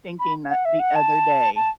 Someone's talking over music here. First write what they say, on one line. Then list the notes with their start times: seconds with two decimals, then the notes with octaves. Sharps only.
thinking that the other day.
0.19 B5
0.50 F#5
0.65 E5
0.79 F#5
0.95 A5
1.56 A5